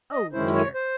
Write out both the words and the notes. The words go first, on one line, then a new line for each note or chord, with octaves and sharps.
Oh dear!
D#5
F#2 D#3 G#3 C#4 E4 C5
C#5
C5